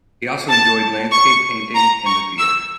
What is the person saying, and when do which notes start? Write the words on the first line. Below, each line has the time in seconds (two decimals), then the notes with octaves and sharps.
He also enjoyed landscape painting and the theatre.
0.50 A5
1.12 C#6
1.75 A#5
2.06 C#6
2.38 E6